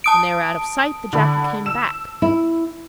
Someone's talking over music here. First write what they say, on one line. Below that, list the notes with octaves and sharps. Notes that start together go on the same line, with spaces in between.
When they were out of sight the jackal came back.
A5 D#6 D7
D3 B5
E6 E7
E4